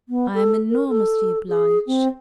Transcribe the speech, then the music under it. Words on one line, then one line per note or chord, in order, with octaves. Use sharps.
I am enormously obliged.
B3
A4
A#4
A4
G#4
C4